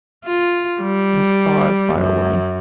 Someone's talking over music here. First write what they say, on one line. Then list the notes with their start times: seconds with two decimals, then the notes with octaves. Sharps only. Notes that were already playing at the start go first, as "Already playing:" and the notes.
And far, far away.
0.24 F4
0.81 G3
1.94 F#2